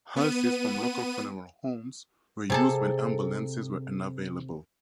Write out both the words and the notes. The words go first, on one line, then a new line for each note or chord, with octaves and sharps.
Hearses from local funeral homes were used when ambulances were unavailable.
B3 D#7
C3 G#4 A4